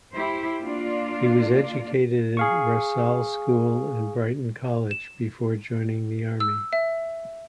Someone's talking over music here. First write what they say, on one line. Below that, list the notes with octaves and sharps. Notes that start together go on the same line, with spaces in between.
He was educated at Rossall School and Brighton College before joining the army.
E4 G4 C5
A#3 D4 F4 D5
G#4 F5 C#6
E7
E6
E5